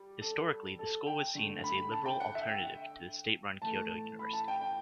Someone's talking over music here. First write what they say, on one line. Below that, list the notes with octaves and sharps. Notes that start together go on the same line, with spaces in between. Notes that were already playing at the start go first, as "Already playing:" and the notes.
Historically, the school was seen as a liberal alternative to the state-run Kyoto University.
Already playing: G3
A4
A4
G5
D3 A3
B5
A5
G5
F#5
E5
G5
A2 E3 A3 A5
B5
A5
G5
G5